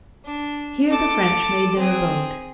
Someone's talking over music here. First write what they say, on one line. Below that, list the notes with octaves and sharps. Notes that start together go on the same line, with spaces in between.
Here the French made their abode.
D4
A4 D6
C4 G#4